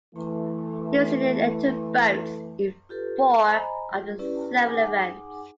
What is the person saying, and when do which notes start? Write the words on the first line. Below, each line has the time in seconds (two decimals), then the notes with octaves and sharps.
New Zealand entered boats in four of the seven events.
0.15 E3 A3
2.89 F4 G4 A4 B4
3.44 C5 D#5 G#5 A#5 B5
3.91 G3 F4 G#4
4.19 C#4 E4 G4 B4 D5
4.66 D#4 G#4 F#5 G#5 D6